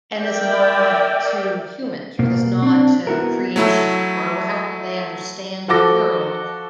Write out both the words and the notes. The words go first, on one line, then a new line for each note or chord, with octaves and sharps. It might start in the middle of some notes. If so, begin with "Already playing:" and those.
and this nod to humans or this nod to creation or wa however they understand the world,
A#4 D5 E5 G5
B2 A#3
C4 D4
B3 E4 F#4 A#4
F#3 A3 E4
F3 F#4 A4 D6 A#6